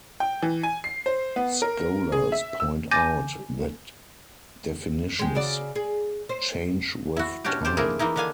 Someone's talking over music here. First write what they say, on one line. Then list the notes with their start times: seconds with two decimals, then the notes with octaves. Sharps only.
Scholars point out that definitions change with time.
0.20 G5
0.42 E3
0.63 G#5
0.84 C7
1.06 C5
1.36 B3
1.62 A#4
2.12 G#4
2.32 E5
2.60 E6
2.91 G#5 D6 G6 A6 A#6 D#7
5.19 G#3 G4
5.35 C#3 F#4 D5
5.75 G#4
6.29 C5
7.17 E4 F#4
7.44 B2 C#4 D4 F#4 G4
7.65 G4 C5 D5
7.77 A3 A#3 D4 E4 G#4 A#4
7.99 E3 A#3 D#4 E4
8.16 D3 D#3 D4 F5 G#5